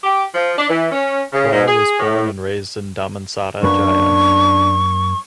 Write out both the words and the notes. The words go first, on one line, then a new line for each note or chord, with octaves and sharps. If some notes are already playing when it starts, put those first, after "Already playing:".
Quah was born and raised in Damansara Jaya.
G4
F3
D4
E3
C#4
C#3
G#2
G#4
A2
F#2 A#3 D4 B4 C#6